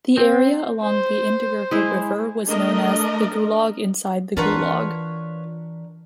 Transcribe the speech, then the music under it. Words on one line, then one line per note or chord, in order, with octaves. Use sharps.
The area along the Indigirka river was known as "the Gulag inside the Gulag".
C4
C5
G#3 E4
A3 D4 A#4 D#5
E3 D4 F4 A#4 B4 C#5 F#5